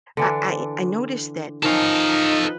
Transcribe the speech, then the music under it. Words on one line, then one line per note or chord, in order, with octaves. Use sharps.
I I I noticed that
D3 E3 D4
D#3 F3 C#4 D#4 A4 F5
B4